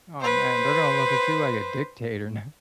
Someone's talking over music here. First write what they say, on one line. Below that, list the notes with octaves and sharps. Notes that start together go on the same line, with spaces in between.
Oh man, they're gonna look at you like a dictator now.
B4 C5